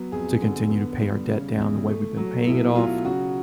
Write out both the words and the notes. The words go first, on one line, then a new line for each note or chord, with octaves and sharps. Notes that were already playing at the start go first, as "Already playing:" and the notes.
to continue to pay our debt down the way we've been paying it off,
Already playing: F#3 B3
F2 G#4
D3
B3
G3
C#3
E2
A3
F#3
B2 E4
F#3 F4
C#3 F#4